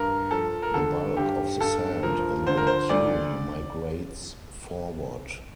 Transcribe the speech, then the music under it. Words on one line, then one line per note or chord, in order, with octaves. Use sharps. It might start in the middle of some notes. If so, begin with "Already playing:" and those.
The bulk of the sand in the dune migrates forward.
Already playing: G2 A#4
F3 A4
A#4
D3 A4
G2 G4
G2 A4
F3 A#4
D3 C5
A#4
C5
D2 D5